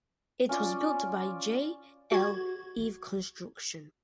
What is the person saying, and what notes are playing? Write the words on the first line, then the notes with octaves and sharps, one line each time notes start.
It was built by J. L. Eve Construction.
C#4 F4 D5
F#4 G#6